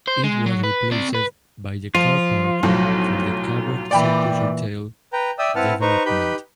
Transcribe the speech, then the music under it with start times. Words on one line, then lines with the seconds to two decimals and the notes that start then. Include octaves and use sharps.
It was replaced by the car-park for the Cabot Circus retail development.
0.07 C5
0.24 G#3
0.46 F#3
0.64 B4
0.92 C4 D5
1.14 B4
1.95 F3 F4
2.63 B1 A2 F3 F#3
3.91 A#2 E3 D5 G5 B5
5.13 B4 G5 A#5
5.39 D5 E5 G5 D#6 E6
5.55 C4 E4 B4 F#5 A5 F6
5.81 D#4 B4 C5 A#5 C#6
6.06 D#4 G4 B4 B5 G6